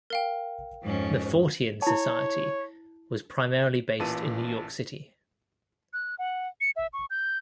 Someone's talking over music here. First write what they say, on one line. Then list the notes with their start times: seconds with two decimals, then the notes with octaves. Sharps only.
The Fortean Society was primarily based in New York City.
0.10 A#4 F5 G5
0.82 F2 G#2 C#4
1.82 E4 C#5 A5
4.00 A1 A#2 E3 B4 A5 D#7
5.93 F#6
6.19 F#5
6.61 C#7
6.76 E5
6.93 C#6
7.10 G6